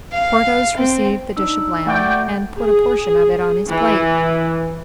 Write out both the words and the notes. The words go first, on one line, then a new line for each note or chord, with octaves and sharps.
Porthos received the dish of lamb, and put a portion of it on his plate.
F5
C4
D4 D#4 E6
A3 F#4 D5 F#5 G5
G#4
E3